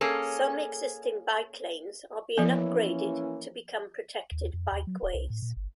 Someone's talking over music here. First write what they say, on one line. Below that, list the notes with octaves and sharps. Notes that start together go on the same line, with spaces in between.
Some existing bike lanes are being upgraded to become protected bikeways.
A#3 C#4 G#4 A4
E3 F3 A#3 B3 C#4
D#2
F2
D#2
F#3
D1
C2
A2
A#2
G1